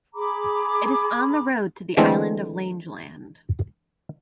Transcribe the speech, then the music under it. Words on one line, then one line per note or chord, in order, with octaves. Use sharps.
It is on the road to the island of Langeland.
G#4 A#5 B5 D6
D3 E3 G#3 A3 C4